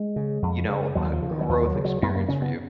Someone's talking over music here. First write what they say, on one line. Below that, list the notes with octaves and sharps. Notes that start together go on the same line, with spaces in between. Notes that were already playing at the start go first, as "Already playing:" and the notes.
you know, a growth experience for you.
Already playing: G#3
C#3
F2
C#3
D#2 F#3
F3
C#3
D#3
F#3
D#2 F3
F3
F#3
C#3
F#3
F#2 B3
A#3
C#3 C#4
B3